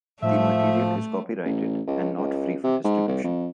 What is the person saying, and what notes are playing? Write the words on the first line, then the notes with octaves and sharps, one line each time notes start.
The material is copyrighted and not free for distribution.
A2 F3 A3 E5
A1
C#2
C#2
C3
G#2
C2
F2